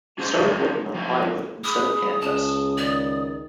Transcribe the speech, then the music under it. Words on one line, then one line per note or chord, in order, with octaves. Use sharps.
He started working on plywood instead of canvas.
D4 G#4 A4 C5
F3 C4 E4 F4
G#4 B5 D#6
C#2 A5 D#6
D#3 D5